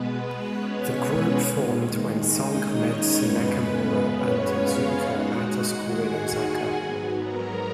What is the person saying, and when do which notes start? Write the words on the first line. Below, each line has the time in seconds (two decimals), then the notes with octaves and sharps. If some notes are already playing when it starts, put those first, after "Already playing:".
The group formed when Song met Nakamura and Iizuka at a school in Osaka.
Already playing: B2 G#3 B3 B4
0.51 C#4 C#5
0.95 C#4 C#5
1.41 D#2 D#3 G#3
2.30 D#4 D#5
2.75 C#4 C#5
3.19 F#2 C#3 G#3 B3 B4
4.09 C#4 C#5
4.54 F4 F5
4.99 D#2 D#3 G#3 F#4 F#5
5.43 F#4 F#5
5.88 G#4 G#5
6.78 G#2 F#3 B3
7.22 A#4 A#5